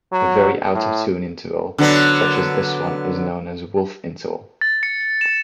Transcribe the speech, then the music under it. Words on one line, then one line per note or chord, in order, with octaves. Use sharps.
A very out-of-tune interval such as this one is known as a "wolf interval".
F#3
A2
D3 F#3 B3
A6
C#7
E7